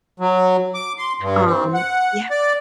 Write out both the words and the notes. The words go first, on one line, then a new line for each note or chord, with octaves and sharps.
Um, yeah
F#3
D6
C6
G2
C4
F#5
D5